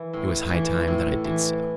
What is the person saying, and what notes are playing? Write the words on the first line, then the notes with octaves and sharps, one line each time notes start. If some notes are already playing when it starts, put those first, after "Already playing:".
It was high time that I did so.
Already playing: E3
A2
E3
A2
E3